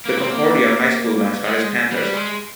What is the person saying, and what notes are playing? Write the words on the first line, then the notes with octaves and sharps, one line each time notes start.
The Concordia High School mascot is Panthers.
A#3
C4
A#3
G#3
G3
G#3